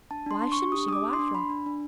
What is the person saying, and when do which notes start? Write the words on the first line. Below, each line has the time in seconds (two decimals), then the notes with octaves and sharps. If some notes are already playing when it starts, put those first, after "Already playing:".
Why shouldn't she go, after all?
0.11 D4 A5
0.26 D4 C6
0.42 D4
0.52 C#6
0.57 D4
0.72 G4 D#6
0.87 D4 D#6
0.93 D6
1.04 D4
1.13 C6
1.19 D4
1.35 D4 B5
1.49 D4
1.66 D4